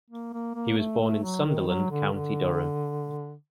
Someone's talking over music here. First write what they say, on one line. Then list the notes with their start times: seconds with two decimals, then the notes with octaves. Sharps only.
He was born in Sunderland, County Durham.
0.10 A#3
0.33 A#3
0.55 A#3
0.78 A3
1.00 A3
1.23 F#3
1.46 D#3
1.68 F#3
1.90 D3
2.12 D3